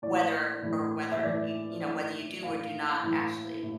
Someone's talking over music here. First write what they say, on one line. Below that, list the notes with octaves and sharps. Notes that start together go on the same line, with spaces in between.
whether or whether you you know whether you do or do not actually
A2 E3 D5
A2 E3
E5
A2 E3 D5
A2 E3
A2 E3 F5
A2 E3
A2